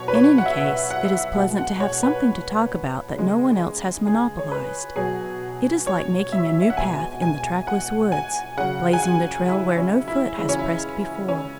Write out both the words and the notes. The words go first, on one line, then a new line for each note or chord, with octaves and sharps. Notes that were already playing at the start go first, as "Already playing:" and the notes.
In any case, it is pleasant to have something to talk about that no one else has monopolized; it is like making a new path in the trackless woods, blazing the trail where no foot has pressed before.
Already playing: B2 F#3 C#5
B4
C#5
F#5
E5
F#5
F#5
E5
F#5
B2 G#3 F#5
F#5
C#5
B4
C#3 G#3
G#4
C#5
B4
B2 F#3 G#4
C#5
E5
E5
F#5
B2 G#3 G#5
G#5
F#5
G#5
C#3 F#3 F#5
G#5
F#5
E4
C#4
E4
C#3 E3 G#3 E4
C#4
E4
C#4